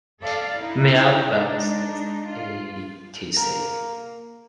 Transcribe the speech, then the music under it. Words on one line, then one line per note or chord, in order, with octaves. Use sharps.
Mail Boxes Etc.
A4 D5 F5
D#4 E4
G#3 D4 D#4
F4
A#3 A#4